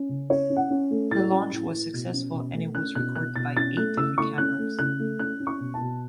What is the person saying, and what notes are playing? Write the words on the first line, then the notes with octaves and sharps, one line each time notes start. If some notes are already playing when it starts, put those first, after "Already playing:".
The launch was successful and it was recorded by eight different cameras.
Already playing: C#4
C#3
C#4 C#5
C#4
F#5
C#4
A3
A2 A6
C#4
A2
A2
B2
C#4
B2
A3
C#4 F#6
B2 F#6
B2 F#6
B2 A6
C#4 A6
A3 F#6
C#3 E6
A3 C#6
C#4 F#6
A3
C#3 F#6
A3
C#4 F#6
C#4
C#6
B2
A5
B2